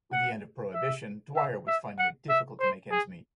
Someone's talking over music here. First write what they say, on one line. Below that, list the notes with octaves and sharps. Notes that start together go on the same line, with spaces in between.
With the end of Prohibition, Dwyer was finding it difficult to make ends meet.
F#5
E5
E5
E5
F#5
E5
C5
G#4